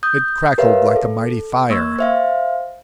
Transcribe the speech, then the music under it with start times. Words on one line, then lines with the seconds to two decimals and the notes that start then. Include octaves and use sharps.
It crackled like a mighty fire.
0.03 D#6 G6
0.58 G4 A#4 B4 C#5 E5 F5
0.96 A4
1.70 A#3 C#6 E6 G#6
1.99 C5 E5 F5